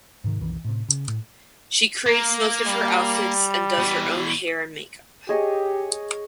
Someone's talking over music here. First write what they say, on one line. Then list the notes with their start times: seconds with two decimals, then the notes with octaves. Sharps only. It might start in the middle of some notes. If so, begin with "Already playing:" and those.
She creates most of her outfits and does her own hair and makeup.
0.24 G#2 C3 D#3
0.40 B1 F2 D#3 E3
0.65 A2 C3
0.89 C#3
1.07 A2
2.06 A#3 A#4
2.66 G3
3.79 B2 E3
5.29 G4 G#4 C#5 D#5